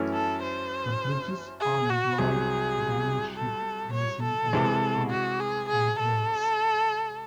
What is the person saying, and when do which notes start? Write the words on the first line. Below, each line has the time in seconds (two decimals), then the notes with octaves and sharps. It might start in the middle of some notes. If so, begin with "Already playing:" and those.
The bridges all employed diamond-shaped bracing in the arch spandrels.
Already playing: F#2 E3 A3 C#4 E4
0.13 A4
0.42 C5
1.60 G#4
1.90 F#4
2.19 C2 C3 F#3 G#4
3.36 A4
3.93 C#5
4.23 A4
4.53 C3 E3 G#3
5.10 F#4
5.40 G#4
5.69 G#4
5.99 A4